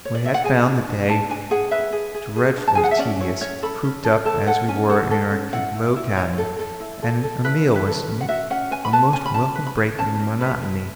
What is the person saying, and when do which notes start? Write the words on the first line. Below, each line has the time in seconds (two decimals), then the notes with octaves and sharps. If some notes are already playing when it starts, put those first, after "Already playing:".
We had found the day dreadfully tedious, cooped up as we were in our low cabin, and a meal was a most welcome break in the monotony.
0.05 C#5
0.15 D5
0.26 E5
0.34 F#5
0.44 G#4 G#5
0.66 D4
0.88 D4
1.09 D4 A5
1.30 D4 G#5
1.51 G#4 F#5
1.71 B4 E5
1.93 G#4
2.15 G#4
2.36 G#4
2.57 D4
2.67 A5
2.75 G#4 G#5
2.83 F#5
2.91 E5
2.99 C#4 D5
3.20 E4 C#5
3.41 C#4 C#5
3.63 A4 B5
3.84 C#4
4.05 A4
4.25 A4 A5
4.47 A4 F#5
4.68 C#4 G#5
4.89 A4 F#5
5.11 A4
5.32 C#4
5.53 E4 F#5
5.75 E4
5.96 E4
6.17 E4 C#5
6.38 A4
6.59 A4
6.80 E4
7.02 A4
7.24 A4
7.45 E4 B4
7.66 E4
7.76 B4
7.87 A4
8.08 C#4
8.21 F#5
8.29 F#4 E5
8.50 C#4 F#5
8.71 B4 G#5
8.85 B5
8.93 B4 A5
9.13 C#4 G#5
9.26 B5
9.34 C#4 A5
9.55 B4
9.67 B5
9.77 B4
9.98 C#4 A5
10.19 C#4
10.41 B4
10.63 B4